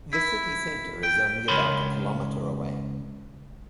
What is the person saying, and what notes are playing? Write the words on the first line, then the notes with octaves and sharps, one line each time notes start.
The city center is only about a kilometer away.
E4
G5
C#2 A#4 C#5 B5 C6